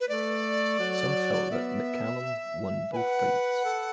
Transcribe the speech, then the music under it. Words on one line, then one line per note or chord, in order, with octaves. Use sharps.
Some felt that McCallum won both fights.
B4
A3 D5
F#3
B3 E5
B4 F#5 G#5
A4